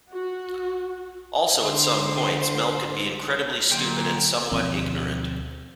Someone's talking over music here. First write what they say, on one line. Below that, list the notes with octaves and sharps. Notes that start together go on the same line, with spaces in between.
Also, at some points Mel could be incredibly stupid and somewhat ignorant.
F#4
D3 C5
A#2 D3 F#3 G5
D2 B2 F3 C4